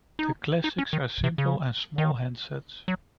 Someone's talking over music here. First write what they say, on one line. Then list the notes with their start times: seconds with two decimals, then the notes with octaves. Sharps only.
The Classics are simple and small handsets.
0.19 D#4
0.64 D#4
0.78 C#4
0.93 D#3
1.24 C3
1.38 C#3
1.98 D#3
2.88 F#3